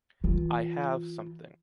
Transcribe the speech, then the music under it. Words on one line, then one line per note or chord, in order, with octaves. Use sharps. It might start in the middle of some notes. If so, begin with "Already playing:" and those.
I have something.
E3 F4